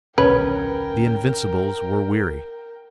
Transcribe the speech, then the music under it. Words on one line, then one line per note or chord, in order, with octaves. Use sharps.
The Invincibles were weary.
D#1 B1 D3 C#4 A#4 B4 G5